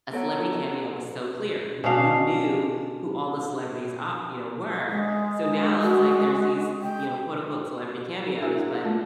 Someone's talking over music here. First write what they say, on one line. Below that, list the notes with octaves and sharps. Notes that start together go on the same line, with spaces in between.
a celebrity cameo was so clear, we we knew who all the celebrities ar you know, were. So now it's like there's these, you know, quote unquote celebrity cameos, but,
B3 A4 C#5 F#5 A#5
B2 C#4 D4 F5
G#3
F#4
G5
D4 E4 F#4 G#4 A#4 E5
F#5
A3 B3 F4 A4